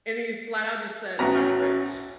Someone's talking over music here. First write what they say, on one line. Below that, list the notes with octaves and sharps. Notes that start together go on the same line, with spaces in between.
and he flat out just said, "I'm rich."
A1 B3 C#4 F#4 A#5